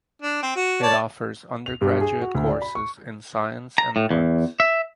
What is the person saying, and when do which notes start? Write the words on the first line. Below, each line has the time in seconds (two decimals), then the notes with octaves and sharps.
It offers undergraduate courses in science and arts.
0.22 D4
0.43 C4
0.56 F#4
0.82 C#5 D5 A5
1.66 F7
1.81 G2
2.01 G#4
2.22 F#4
2.35 D2
2.48 D5
2.62 B5
2.75 C#6
3.78 A#5
3.96 A2
4.11 E2
4.60 E5